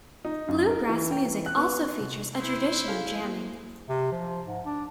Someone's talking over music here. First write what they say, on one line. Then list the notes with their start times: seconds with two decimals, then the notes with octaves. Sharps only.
Bluegrass music also features a tradition of jamming.
0.25 D#4
0.48 F#2
0.70 A#4
0.89 E3
1.11 G5
1.25 E3
1.46 F#6
1.58 B3
2.01 C3
2.37 E4 C5
2.88 G#4 A4 F5
3.25 A#3
3.89 C3
4.12 F3
4.47 G#2
4.66 D4